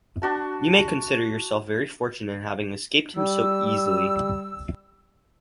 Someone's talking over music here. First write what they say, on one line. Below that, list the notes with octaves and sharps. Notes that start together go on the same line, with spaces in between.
You may consider yourself very fortunate in having escaped him so easily.
D4 F#4 A5
G3 E6